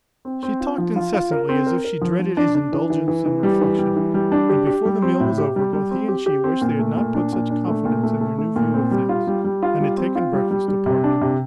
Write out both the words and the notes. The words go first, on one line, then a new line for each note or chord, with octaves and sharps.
She talked incessantly, as if she dreaded his indulgence in reflection, and before the meal was over both he and she wished they had not put such confidence in their new view of things, and had taken breakfast apart.
C4
C4
F4
F3
F4
F4
A#4
C4
A#4
A#4
F3
F3
D4
D4
E3
E3
E3
E3
G3
E3
G3
E3
G3
D4
G4
G4
G3
C4
A2
G4
G3
G3
C4
G4
G4
C4
A#2
A3
A#2
D4
A#2
D4
A3
A#2
A3
A3
A3
A#2
C4
G3
F4
G3
G3
F4
G3
C4
F4
G3
G3
G3
C3
D4
C3